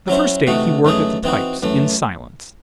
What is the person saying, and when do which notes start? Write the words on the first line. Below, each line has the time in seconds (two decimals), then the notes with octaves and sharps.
The first day he worked at the types in silence.
0.08 F#3 C#4 E4 C5
0.47 C3 E3 A3 D#4 F#4
0.85 F#2 E3 A3 D#4 G#4
1.24 E3 C4 D#4 F#4
1.63 F#2 E3 A3